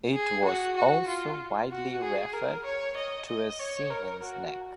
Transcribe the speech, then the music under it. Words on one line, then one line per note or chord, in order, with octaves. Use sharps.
It was also widely referred to as Seaman's Neck.
G#4
F#4
F#4
F4
F#4
G#4
A#4
C#5
D#5
D#5
C#5
A#4
F#4